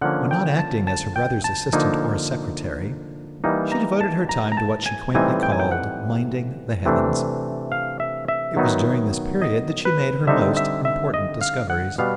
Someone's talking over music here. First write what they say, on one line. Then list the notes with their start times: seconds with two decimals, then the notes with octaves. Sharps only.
When not acting as her brother's assistant or secretary, she devoted her time to what she quaintly called "minding the heavens." It was during this period that she made her most important discoveries.
0.01 D3 F3 A#3 C#4 F#5
0.31 G5
0.59 A5
0.87 A5
1.16 G5
1.44 A5
1.73 D3 F3 A#3 D#4
3.44 E3 G3 A#3 D#4
3.72 A#5
4.01 A5
4.29 A#5
4.52 A#5
4.57 A5
4.86 G#5
5.14 A2 E3 G3 C4 D#4 G#5
5.43 G5
5.52 G#5
5.60 G5
5.72 F#5
6.86 C3 E3 A3 D4
7.72 F5
8.00 E5
8.28 E5
8.56 D#3 F#3 B3 D#4
9.42 D#5
9.85 B4
10.27 D3 G3 C4 D#4 E5
10.57 E5
10.85 E5
11.14 D#5
11.41 F5
11.70 F#5
11.98 B2 G3 B3 F5